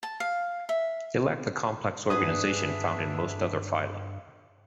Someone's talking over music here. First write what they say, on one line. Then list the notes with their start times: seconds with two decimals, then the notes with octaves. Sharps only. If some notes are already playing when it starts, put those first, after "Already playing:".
They lack the complex organization found in most other phyla.
0.03 A5
0.20 F5
0.69 E5
2.10 G2 B3 D4 G#4 B4 E5 D#6